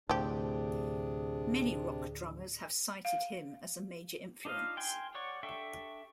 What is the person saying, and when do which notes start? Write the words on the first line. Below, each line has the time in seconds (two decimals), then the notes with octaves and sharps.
Many rock drummers have cited him as a major influence.
0.09 D2 A2 C3 F3 D4 G4 G#4
3.05 F5
4.45 D4 D#4 F4 D#5 F5
4.77 G5 G#5 C6
5.15 C#5 D5 F#5 C#6
5.43 D4 A4 E5 G5 C#6